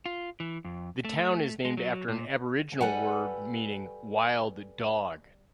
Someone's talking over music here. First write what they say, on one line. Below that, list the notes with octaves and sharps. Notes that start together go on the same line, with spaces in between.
The town is named after an Aboriginal word meaning "wild dog".
F4
E3
F2
A3
G#3
F#3
A#2
G3 A4 B4 F#5 G#5